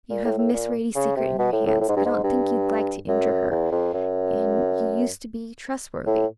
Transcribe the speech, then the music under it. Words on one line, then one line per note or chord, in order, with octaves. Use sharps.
You have Miss Radie's secret in your hands, I don't think you'd like to injure her, and you used to be trustworthy.
A#2
A2
A2
A#2
C#3
C3
B2
A2
A2
A2
G#2
G2
G#2
G2
F#2
E2
F2
F#2
A2